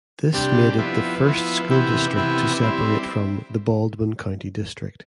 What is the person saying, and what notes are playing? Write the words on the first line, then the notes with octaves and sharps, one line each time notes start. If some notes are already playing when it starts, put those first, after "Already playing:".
This made it the first school district to separate from the Baldwin County district.
C3 G3 D4 G4
F3 B3 E4
F3 B3 E4
C3 E3 B3 E4 G4
C3 E3 B3 E4 G4
G3 C4 E4